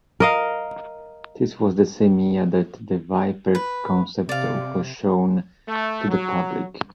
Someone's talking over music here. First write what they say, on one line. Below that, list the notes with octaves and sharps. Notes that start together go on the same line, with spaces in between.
This was the same year that the Viper concept was shown to the public.
A#4 D#5 F5
B4
C3 D5 F5
A3
F#3